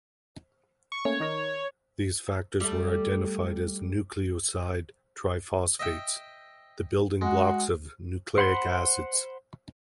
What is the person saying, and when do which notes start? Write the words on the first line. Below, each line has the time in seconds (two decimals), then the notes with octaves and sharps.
These factors were identified as nucleoside triphosphates, the building blocks of nucleic acids.
0.92 C#6
1.05 A3 A#3 C#4 C#5
1.20 D#3 D#4 A#4
2.60 G3 A3
5.79 D#5 E5 G5
7.21 G#3 F#4
8.38 C5 F#5 B5 C6